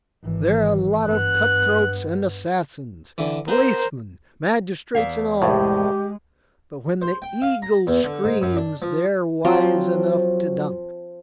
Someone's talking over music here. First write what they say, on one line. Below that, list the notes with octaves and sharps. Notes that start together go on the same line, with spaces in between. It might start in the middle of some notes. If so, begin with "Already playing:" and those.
"They're a lot of cutthroats and assassins--policemen, magistrates and all--but when the eagle screams they're wise enough to duck."
G#1 E3
G2 B3 F#6
D3 E3
B3 A#4 C5
E2 E5 F5
C2 A2 G#3 G4
C5
G5
F5
A#5
E2
D3
G#2
F#2
D4
F3
F3 F#3 C4 F#4